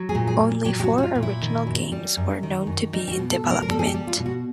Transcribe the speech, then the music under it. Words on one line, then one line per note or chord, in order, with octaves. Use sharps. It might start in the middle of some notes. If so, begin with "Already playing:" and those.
Only four original games were known to be in development.
Already playing: F#3
G#4
A#2
G#4
A#2
F#3 G4
G4
F#4
F#3
F#4
F4
A#2
E4
D#3
F#2
G3
F#2
D#3
F#2
G3 D#4
G4
F#4
B2
A4
B2
A#4
A#4
G3 A4
G#4
G4
G3
F4
B2
F#4